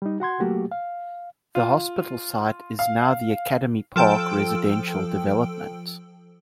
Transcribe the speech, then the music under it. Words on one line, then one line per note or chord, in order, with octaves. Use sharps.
The hospital site is now the Academy Park residential development.
G3 D#4
F#4 F#5 C6 G#6
F#3 A3 A#3 F#4 G4
F5
F4
F5
F3 A4 G5 E6 D7